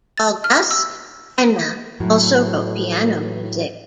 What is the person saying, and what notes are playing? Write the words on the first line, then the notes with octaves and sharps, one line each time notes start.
August Enna also wrote piano music.
A6
F6
E6
A2 F#3